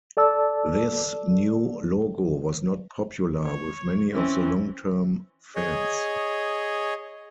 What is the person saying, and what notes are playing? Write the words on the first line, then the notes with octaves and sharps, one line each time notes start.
This new logo was not popular with many of the long-term fans.
A4 D5 A5 E6
C#5
E3 C4 C#4
G#4 C#5 D#5